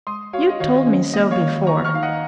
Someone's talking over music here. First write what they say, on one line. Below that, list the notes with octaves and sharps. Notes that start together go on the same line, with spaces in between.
"You told me so before."
G#3 C6 D#6
F#4 C#5 F5
D#5
D#3 C#5 F5
C#4
A#3 D#5
C#5 F5
D#3
D#3 A#5 C#6
C#6 F6
D#4 F5
D#5 F#5